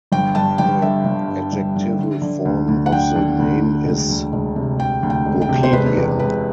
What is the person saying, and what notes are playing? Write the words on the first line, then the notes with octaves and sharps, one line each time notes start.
The adjectival form of the name is Baucidian.
G1 G5
G2 A5
G1 G5
D3 E5
G1
G2
G1
D3
D3
D3
D2
D2
F#5
D3 G5
D3
D2
D2
E1
D2
E1
C3
E1 G5
D2
G5
E1
G5
C3
C5
E1 B4
E2
E1 B4